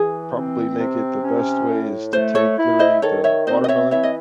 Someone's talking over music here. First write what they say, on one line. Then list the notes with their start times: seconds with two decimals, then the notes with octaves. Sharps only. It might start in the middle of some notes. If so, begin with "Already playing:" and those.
probably make it the best way is to take literally the watermelon,
Already playing: E3 G#4
0.36 C4
0.80 C3
1.24 C#4
1.68 A2
2.13 A3 C5
2.35 A4 C#5
2.58 E4
2.79 C5 D#5
3.02 D#3 A4 C#5
3.24 C#5 E5
3.47 C4 C5 D#5
3.64 D#5
3.68 C#5 E5
3.91 E3 C#5 E5
4.03 D#5